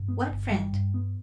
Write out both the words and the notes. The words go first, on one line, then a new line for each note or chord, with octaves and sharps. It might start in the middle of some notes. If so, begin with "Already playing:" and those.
"What friend?"
Already playing: G2
B3
G1
G3
G2
B3